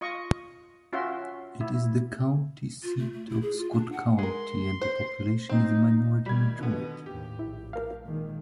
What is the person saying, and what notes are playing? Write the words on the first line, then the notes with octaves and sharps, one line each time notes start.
It is the county seat of Scott County and the population is a minority-majority.
F4 D#5 C#6
C#4 F4 F#4 E5 C6
E4
F4
A3
A3
E4
G#4
F4
D4
F#5
G#3 A#4 C6
C5
C4 D#4
D#3 G3 B5 G#6
B2 D3 B3
D#2 A2 G4
A#1 E4
A3 A#4 F5
A#2 D#3 G#3